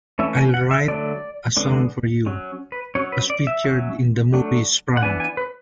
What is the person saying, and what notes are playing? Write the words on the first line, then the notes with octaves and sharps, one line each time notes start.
"I'll Write a Song for You" was featured in the movie "Sprung".
E3 A3 C#4 E5
G#5
F#5
E5
D3 F#3 A3 D5
D3 G#3 B3 D4
F#3 C#4
B4
F#3 C#4 C#5
B4
D5
E5
F#3 C#4
F#3 A3 D4
F#5
E3 B3 D4 G#5
G#5
B4